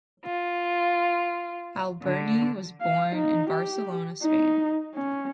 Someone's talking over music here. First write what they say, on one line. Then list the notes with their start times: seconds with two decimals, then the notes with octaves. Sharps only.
Alberni was born in Barcelona, Spain.
0.24 F4
2.03 D3
2.82 F5
3.15 D#4
3.50 G4
4.23 D#4
4.95 C#4